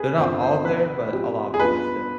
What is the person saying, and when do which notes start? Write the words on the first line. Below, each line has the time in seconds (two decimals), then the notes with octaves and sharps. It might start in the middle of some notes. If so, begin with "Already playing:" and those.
They’re not all there, but a lot of them are still.
Already playing: G#4 B4
0.17 G1 G2 F3 C4 F4 C5
0.42 C5
0.65 B1 B2 B3 B4
1.12 G#2 F3 C4 G4
1.54 G#4
1.59 G2 F3 B3 F4 B4